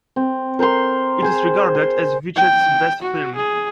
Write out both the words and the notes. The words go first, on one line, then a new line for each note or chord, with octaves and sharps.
It is regarded as Vichet's best film.
C4
A#4 C5 A#5 C6
G#4 C5
C6
G5
F#4
G#4